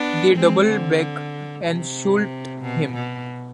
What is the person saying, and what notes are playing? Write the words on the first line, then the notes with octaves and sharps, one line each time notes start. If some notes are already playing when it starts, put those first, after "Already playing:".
They double back and shoot him.
Already playing: B3 D4
G#3 C4
D3
C3
B2
B2